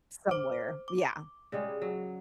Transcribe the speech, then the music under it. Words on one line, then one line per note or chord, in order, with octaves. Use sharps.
somewhere yeah,
C5 D6
D6
C#3 G3 G#3
F#3